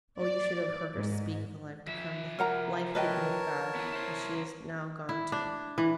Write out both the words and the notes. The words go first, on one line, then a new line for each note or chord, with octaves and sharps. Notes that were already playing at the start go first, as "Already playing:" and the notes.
Oh, you should have heard her speak of the life to come--the life hidden with God, that she is now gone to.'
D5
G#2
F3 E5
A#4 F#5 A#5
A#4 B4 C#5 D#5 G5 A5
B3 E4
E4 C5
E4
D4
E3